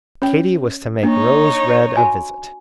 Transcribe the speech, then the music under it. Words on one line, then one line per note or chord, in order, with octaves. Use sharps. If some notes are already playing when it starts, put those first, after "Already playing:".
Katy was to make Rose Red a visit.
C#4 C#5 G5
A#3 D4 D#4 C#5
F#4 G#5